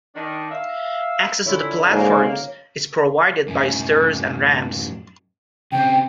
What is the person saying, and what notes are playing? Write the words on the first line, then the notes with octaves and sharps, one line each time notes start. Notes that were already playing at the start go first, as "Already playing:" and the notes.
Access to the platforms is provided by stairs and ramps.
D#3 D4
E5 F5
D3 C#4 E4 F4
G#2 F#3 A#3 C#4
F#2 A2
C#3 C4 G5